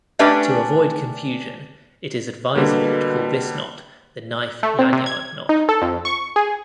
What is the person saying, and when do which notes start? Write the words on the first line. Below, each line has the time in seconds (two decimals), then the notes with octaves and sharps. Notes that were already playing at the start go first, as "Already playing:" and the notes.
To avoid confusion, it is advisable to call this knot the knife lanyard knot.
0.19 A3 C#4 D4 G4 B4 D5
2.56 B2 D3 G3 A#3
4.63 A3
4.79 C4
4.93 C3
5.06 G#6
5.49 D#4
5.69 A4
5.82 F2
6.05 C#6
6.36 G#4